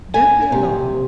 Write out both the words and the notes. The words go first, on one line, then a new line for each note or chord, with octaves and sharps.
Don't be alarmed.
G#5
C3